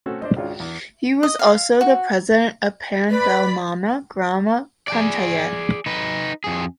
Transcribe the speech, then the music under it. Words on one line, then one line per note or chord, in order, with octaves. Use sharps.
He was also the President of Perinthalmanna Grama Panchayat.
A3 C4 C#4 F#4 A4
D4 C5 D#5
G#1 C#2 G#3 D4 F4 C#5
E2
D#5
F5
F#4
B4 D5 B5
G#4 D5
D#4 B4
F2 G#4